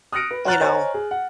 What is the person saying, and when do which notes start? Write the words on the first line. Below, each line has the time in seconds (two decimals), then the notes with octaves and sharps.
you know,
0.12 D#6 F6 F#6 A#6 C#7 D7
0.31 B4
0.45 C#5 F#5 A#5 F6 F#6 A6
0.61 C5 C#5 D#5 G#5 A#5
0.94 G#4
1.11 F#5